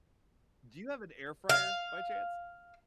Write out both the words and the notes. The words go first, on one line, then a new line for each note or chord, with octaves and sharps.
do you have an air fryer, by chance?
F5